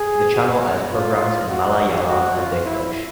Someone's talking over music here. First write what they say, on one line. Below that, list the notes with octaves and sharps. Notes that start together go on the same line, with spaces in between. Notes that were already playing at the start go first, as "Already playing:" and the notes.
The channel airs programs in Malayalam and English.
Already playing: G#4
F#4
F4
F#4
F#4
F4
E4